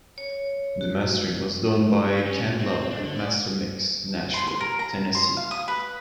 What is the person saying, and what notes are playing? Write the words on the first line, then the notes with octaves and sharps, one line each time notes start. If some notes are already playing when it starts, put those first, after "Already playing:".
The mastering was done by Ken Love at MasterMix, Nashville, Tennessee.
C#5
F#4
C#4
G#2
C4
D4
D3
D5
C6
C6
A#4
A#5
C6
F5
D#6
B4